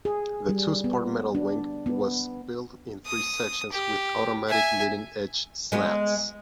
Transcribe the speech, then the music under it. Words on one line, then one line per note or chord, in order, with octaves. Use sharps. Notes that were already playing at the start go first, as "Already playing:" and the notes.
The two-spar metal wing was built in three sections with automatic leading edge slats.
G#4
G3
B3
D4
B3
D#6
G4
E5 G#5
G#3 B3